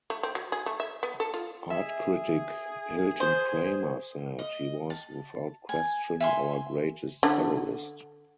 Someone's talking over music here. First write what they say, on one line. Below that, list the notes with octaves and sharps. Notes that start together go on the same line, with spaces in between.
Art critic Hilton Kramer said, He was, without question, our greatest colorist...
A3
C4
F#3
G#4
A3
E5
B3
A4
F4
G#4 E5
C5
D#5
A5
G#5
E5 G#5 C6
D3